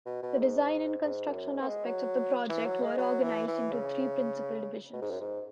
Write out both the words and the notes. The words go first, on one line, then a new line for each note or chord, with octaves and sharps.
The design and construction aspects of the project were organized into three principal divisions.
B2
B2
G#2
G#2
F#2
G#2
B3
G#3
F#3
E3
F#3
G#3
F#3
E3
E3
C#3
B2
G#2
F#2
G#2